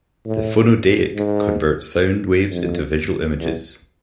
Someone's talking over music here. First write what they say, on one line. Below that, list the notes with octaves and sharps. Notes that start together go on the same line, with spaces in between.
The Phonodeik converts sound waves into visual images.
A2
G#2
F2
E2